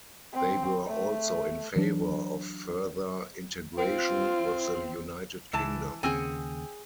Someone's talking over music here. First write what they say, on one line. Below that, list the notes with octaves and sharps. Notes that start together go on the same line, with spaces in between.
They were also in favour of further integration with the United Kingdom.
C4
A3
E3 F#3 D4
C4 F4
C#2 E3 A5
D#2 C#3 C4 G#4 F#5 G#5